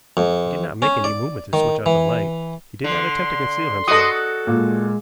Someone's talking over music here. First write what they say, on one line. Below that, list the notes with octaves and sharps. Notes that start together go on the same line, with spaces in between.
He did not make any movement to switch off the light, he did not attempt to conceal himself.
F2
C#4
D5
D#3
E3
D3 C6
F#4 A4 D#5 D#6
A#2 G#3